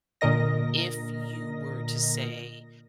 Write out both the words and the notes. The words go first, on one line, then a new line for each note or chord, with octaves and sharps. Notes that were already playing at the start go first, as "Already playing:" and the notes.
if you were to say,
A#2 D3 A#4 D#5 A#6